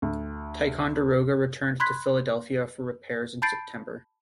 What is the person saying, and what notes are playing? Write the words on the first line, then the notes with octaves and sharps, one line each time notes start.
"Ticonderoga" returned to Philadelphia for repairs in September.
D2
B5 C6 F#6 G#6 B6
A5 B5 G6 A6 C7 D7